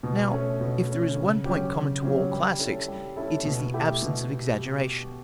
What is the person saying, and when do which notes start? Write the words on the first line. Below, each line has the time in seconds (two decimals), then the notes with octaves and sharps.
Now, if there is one point common to all classics, it is the absence of exaggeration.
0.03 B2
0.32 A3 C#4
0.60 B2
0.88 A3 C#4
1.17 C#3
1.45 F#3 C#4 G4
1.74 C#3
2.02 F#3 C#4 G4
2.31 G3
2.59 C#4 E4 A4
2.88 G3
3.16 C#4 E4 A4
3.45 B2
3.74 A3 E4 G4
4.02 B2